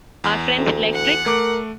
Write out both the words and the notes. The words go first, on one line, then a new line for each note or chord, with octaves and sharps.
Are 'Friends' Electric?
E2
D2
F#5
A3 A#4 D6